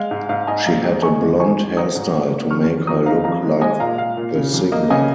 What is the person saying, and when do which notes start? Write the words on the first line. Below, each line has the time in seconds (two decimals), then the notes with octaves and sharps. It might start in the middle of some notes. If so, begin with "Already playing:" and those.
She had a blonde hairstyle to make her look like the singer.
Already playing: G#3 F5
0.11 G#2
0.29 G#2 F5
0.47 G#2 D#5 G#5
0.66 A#1 F5 A#5
0.84 G#3
1.02 D#4 G#5 C#6
1.22 G#3
1.40 D#3 G#5 C#6
1.58 D#3
1.77 D#4 A#5 D#6
1.95 G#2
2.13 D#3
2.32 A#3
2.50 F2 C#6 F6
2.69 F2
2.87 F3 A#5 D#6
3.06 D#4 F5 A#5
3.24 F2 F5 A#5
3.43 G#3
3.61 G#3 D#5 G#5
3.80 A#2 F5 A#5
3.98 A#2 F5
4.17 A#2
4.36 C#3
4.54 F2
4.72 A#3 D#5
4.90 C#3 D#5 G#5